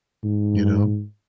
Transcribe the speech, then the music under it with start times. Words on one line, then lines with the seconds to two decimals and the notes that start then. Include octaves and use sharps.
You know?
0.24 G#2